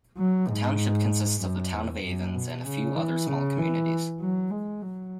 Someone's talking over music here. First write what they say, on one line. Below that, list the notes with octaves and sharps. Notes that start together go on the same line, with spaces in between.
The township consists of the town of Athens and a few other small communities.
F#3
G#2
F#2
E2
F#2
B2
C#3
E3
C#3
E3
F#3
G#3
F#3